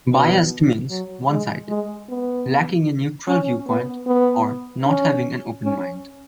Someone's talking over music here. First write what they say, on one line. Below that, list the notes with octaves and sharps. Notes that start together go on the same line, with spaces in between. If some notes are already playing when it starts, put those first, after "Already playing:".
Biased means one-sided, lacking a neutral viewpoint, or not having an open mind.
B2
F#3
G#3
G#3
B3
C#4
B3
B3
C#4
C#4